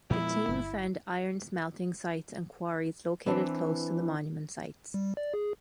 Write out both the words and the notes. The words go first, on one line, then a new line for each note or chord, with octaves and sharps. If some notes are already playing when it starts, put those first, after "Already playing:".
The team found iron smelting sites and quarries located close to the monument sites.
F2 A#2 G#3 B3 E4
G1
E3 C4 D4 B4
G3
D5
G#4